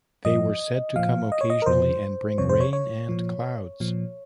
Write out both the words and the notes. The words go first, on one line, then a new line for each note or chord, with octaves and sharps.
They were said to come occasionally and bring rain and clouds.
G2 F3 D#5
A#2 F3 F5
D#5
C#5
D#5
A#4
F2 C3 F3 C5
F2 C3 F3 C#5
C5
C#5
C#5
A#2 F3
A#2 F3